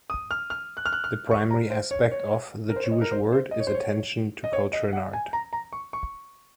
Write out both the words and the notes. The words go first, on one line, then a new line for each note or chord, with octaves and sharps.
The primary aspect of "The Jewish Word" is attention to culture and art.
D#6
F6
F6
F#6
F6
F#6
F6
C#6
A#5
C5
C#5
C#5
A#4
C5
C#5
D#5
A#4
C5
C5
D#5
C#5
C5
C#5
D#5
C#5
D#5
F#5
G#5
A#5
A#5
C#6
C#6